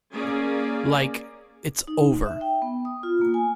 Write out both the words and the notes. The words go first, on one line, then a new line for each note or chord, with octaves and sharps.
Like, 'It's over!
A#3 C#4 G#4 D5
D#4
E5
G5
B3
D#6
F4
A#3
G#5